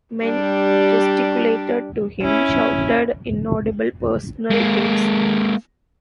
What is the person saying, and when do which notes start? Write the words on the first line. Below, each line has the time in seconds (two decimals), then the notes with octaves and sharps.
Men gesticulated to him, shouted inaudible personal things.
0.24 G3 D4 G4
2.22 C#4 E4
4.51 G#3 A#3